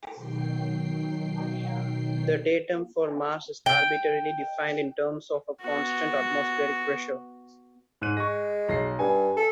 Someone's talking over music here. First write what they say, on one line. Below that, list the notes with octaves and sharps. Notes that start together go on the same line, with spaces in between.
The datum for Mars is arbitrarily defined in terms of a constant atmospheric pressure.
B2 D#3 F#3 G5 C7
G5
B3 F#4
G#2 F#6 D#7
G#3 C#6 A#6
B1 A#6 C7
G2 G#5
A4